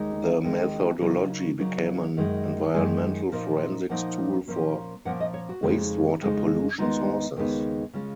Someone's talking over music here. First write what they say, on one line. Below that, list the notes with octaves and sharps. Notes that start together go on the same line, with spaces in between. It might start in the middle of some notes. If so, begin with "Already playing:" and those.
The methodology became an environmental forensics tool for wastewater pollution sources.
Already playing: D#2 G#3 D#4
D#2 D#3 G#3 D#4
C#3 F#3 A#3 D#4
C#3 F#3 A#3 D#4
F#2 D#3 G#3
F#2 D#3 G#3 G#5
A#2 F3 A#3 D#4
A#2 F3 A#3 D#4 F#5
A#2 F3 A#3 C#4
A#2 F3 A#3 C#4 F#5
D#5
C#5
F#4
F2 C#3 G#3 D#4
F2 C#3 G#3 D#4
D#2 C#3 G#3 B3 D#4 F4
D#2 C#3 G#3 B3 D#4
C#3 G#3 C#4 F4